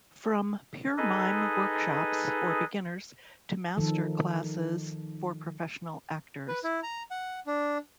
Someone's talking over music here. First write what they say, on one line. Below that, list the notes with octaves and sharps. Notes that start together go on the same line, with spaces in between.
From pure mime workshops for beginners to master classes for professional actors.
D#4 G#4 A4 B4 D#5
D#3 F3 A4
B4
E4
A#5
F#5
D4